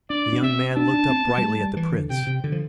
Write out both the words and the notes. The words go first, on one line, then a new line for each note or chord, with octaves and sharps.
The young man looked up brightly at the Prince.
D4 D5
D4
C4 E5
D4 A5
D4
C4
B3
G3
A3
G3
E3
D3
C3 G5
C3
D3
F3